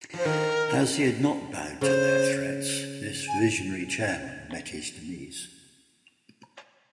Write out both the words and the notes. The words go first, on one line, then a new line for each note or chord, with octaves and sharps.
As he had not bowed to their threats, this visionary chairman met his demise.
F3 C5
D#3 A#4
C#3 C5
G#5